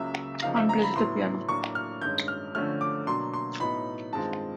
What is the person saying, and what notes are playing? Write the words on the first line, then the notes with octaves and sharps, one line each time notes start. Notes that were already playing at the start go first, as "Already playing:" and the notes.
Han plays the piano.
Already playing: C#2 C#3 F#3 A#3 E5
C#3 F3 A#3 D#4 F5
E5
A#5
B5
A2 F#3 B3 E4 C6
A2 F#3 A#3 D4 C#6
F6
G2 D#3 G#3 C#4 G6
F6
D3 F3 A3 C#4 F6
D6
B2 F#3 A#3 D4 C6
C6
A2 F#3 B3 D#4 B5
G2 D#3 G#3 C4 F4 A5